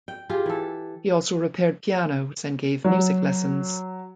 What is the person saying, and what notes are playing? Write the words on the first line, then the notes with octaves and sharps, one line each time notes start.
He also repaired pianos and gave music lessons.
G5
F4 G4 G#4
E3 A4
F#3